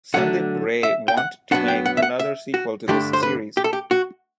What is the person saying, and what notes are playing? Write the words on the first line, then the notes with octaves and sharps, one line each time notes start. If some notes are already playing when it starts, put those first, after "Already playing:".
Sandip Ray want to make another sequel to this series.
D3 F#3 A3 D4 F#5
E5
G5
F#5
F#2 F#3 B3 D4 F#5
G5
F#5
E5
F#5
E5
F#4
G2 D3 A3 D4 G4
C5
B4
G4
A4
G4
F#4